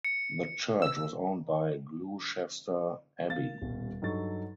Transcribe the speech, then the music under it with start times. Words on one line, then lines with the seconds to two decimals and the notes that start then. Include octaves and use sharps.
The church was owned by Gloucester Abbey.
0.05 C#7
0.82 E6
3.30 A#3 F5 A6
3.61 D#1 B2 G3
4.02 G2 F#3 D#4 A4 C#6 A6